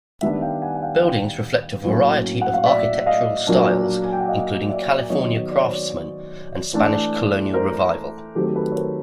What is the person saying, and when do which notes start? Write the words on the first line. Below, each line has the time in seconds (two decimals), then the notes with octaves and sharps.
Buildings reflect a variety of architectural styles, including California Craftsman and Spanish Colonial Revival.
0.21 D#3 G3 B3 D4 E5 F#5
0.42 F5 G5
0.62 F#5 G#5
0.75 F#5
0.82 F5 G5
1.03 F5 G5
1.84 A2 F#3 A#3 C#4
2.41 F#5
2.53 F5
2.65 D5 E5
3.06 D#5 F5
3.47 A#2 F#3 A#3 D4
4.03 G#5
4.12 G5
4.20 F#5
4.28 D#5 F5
4.69 D5 E5
5.10 D#3 F#3 B3 C#5 D#5
5.51 D5
5.58 C#5
5.65 C5 D5
6.73 E3 A3 D4
7.54 A#4 C5
8.35 D#3 F#3 A3 C4 G4 A4
8.56 A4 B4
8.72 C#5
8.76 A#4 C5